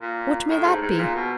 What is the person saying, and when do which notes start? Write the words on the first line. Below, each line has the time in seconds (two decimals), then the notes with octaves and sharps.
"What may that be?"
0.01 A#2
0.49 A2
0.65 G#2
0.82 G#2
0.98 A#2
1.15 B2